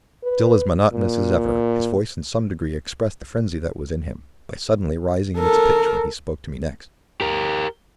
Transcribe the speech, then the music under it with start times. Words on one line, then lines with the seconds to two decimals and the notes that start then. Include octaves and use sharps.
Still as monotonous as ever, his voice in some degree expressed the frenzy that was in him, by suddenly rising in its pitch when he spoke to me next.
0.24 B4
0.93 A#2
5.38 A4 A#4
7.21 G4 A#4